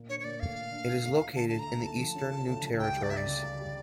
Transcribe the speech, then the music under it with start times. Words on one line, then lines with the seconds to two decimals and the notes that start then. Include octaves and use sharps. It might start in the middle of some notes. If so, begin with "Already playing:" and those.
It is located in the Eastern New Territories.
Already playing: A#2
0.09 D4 C#5
0.20 C#5
0.24 A#2 D5
0.40 A3 F5
0.56 A#2
0.72 D4
0.88 D2
1.04 A3
1.20 D2
1.35 D3 A5
1.49 D2 A5
1.59 A#5
1.67 A3
1.83 D2 A5
1.99 F3
2.15 C#4
2.31 C#3
2.47 D2
2.62 F3
2.79 C#2 G5
2.95 G3
3.03 D5
3.10 C#2 E5
3.17 D5
3.26 C#3
3.42 C#2
3.59 G3